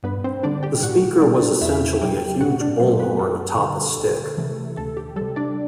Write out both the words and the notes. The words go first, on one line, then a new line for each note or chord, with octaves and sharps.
The speaker was essentially a huge bullhorn atop a stick.
G2 B3 B4
C4 C5
D3 G3 D4 D5
G4 G5
A2 F#4 F#5
G3 D4 D5
E2 E4 E5
B2 F#3 G4 G5
A2 F#4 F#5
D4 D5
F#3 A3 C4 C5
B3 B4
F#2 A4
D3
G3
D2
C3 E3 A3
D2 A4
G4
G3 A4
C3
D4 D5